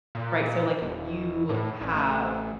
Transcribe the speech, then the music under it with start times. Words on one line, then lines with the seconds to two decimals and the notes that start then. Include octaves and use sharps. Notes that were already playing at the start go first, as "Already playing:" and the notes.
Right, so, like, if you have
0.15 A#2
0.81 E1
1.49 A2
1.81 A1